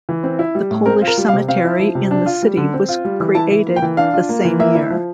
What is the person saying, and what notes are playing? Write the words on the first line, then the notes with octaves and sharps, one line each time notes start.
The Polish Cemetery in the city was created the same year.
E3
C4
E4
G3
A2
C4 A#4
F4
A#4
G3
F5
C3
C4 F5
E4
F3
C3
D4
F4
G3
D3
C4
F4
G3
E3
E4 A5
E3
A#3
G5
E3
D4 F5
F4
A#3
E3
A#3 E5
E4
F3